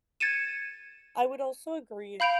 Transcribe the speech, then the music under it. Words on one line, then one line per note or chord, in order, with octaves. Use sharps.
I would also agree
G#6 A6 C#7 D#7 E7
F5 B5 G6 D7 F7